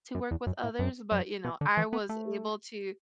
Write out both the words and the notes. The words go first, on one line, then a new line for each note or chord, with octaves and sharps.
to work with others, but, you know, I was able to
F#2
E2
F#2
A2
F#2
F#2
B2
D3
E3
B3
A3